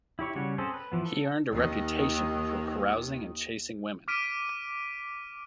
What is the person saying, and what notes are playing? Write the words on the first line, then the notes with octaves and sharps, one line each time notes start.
He earned a reputation for carousing and chasing women.
E4 G4 C#5 C#6
C#3 G3 C#4 F#4 C#5
C4 C#4 G#4 A4 C5
B4
E3 F3 B3
A4
D#2 D#3
D6 F6 B6 D7 D#7